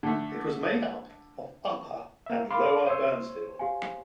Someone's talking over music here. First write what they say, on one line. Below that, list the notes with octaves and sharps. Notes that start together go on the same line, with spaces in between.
It was made up of Upper and Lower Byrnesville.
D3 A3
A#3 E5
A#4 F5 B5 C6 D6
C5 C#5 E6 D#7
G4 F5 G#5